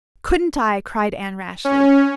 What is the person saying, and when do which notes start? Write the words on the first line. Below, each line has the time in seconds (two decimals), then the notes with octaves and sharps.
"Couldn't I?" cried Anne rashly.
1.65 C#4